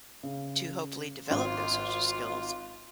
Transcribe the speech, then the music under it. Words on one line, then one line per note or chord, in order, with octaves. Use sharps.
to hopefully develop those social skills,
C#3
G#1 F4